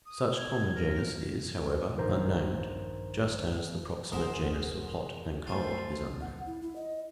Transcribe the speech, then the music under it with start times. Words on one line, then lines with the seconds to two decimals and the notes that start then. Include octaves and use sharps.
Such common genus is, however, unnamed, just as the proximate genus of hot and cold is unnamed.
0.06 D#6
0.36 G#6
0.75 A#4
1.97 A#1 G2 D#3 A#4 C5 A#5
4.12 F1 A2 G#4 A#4 C5 E5 F#5 D#6
5.47 A3 F4 A4 C5 G#5
6.21 F#5
6.46 E4
6.62 E4
6.76 D#5